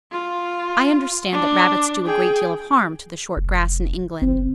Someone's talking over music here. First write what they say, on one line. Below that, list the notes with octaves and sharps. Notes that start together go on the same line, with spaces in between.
I understand that rabbits do a great deal of harm to the short grass in England.
F4
D4
G#4 G5
F1
F#1 C4